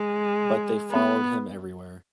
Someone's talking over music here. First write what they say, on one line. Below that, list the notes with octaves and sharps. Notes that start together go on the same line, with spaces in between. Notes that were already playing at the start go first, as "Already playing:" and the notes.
But they followed him everywhere.
Already playing: G#3
B3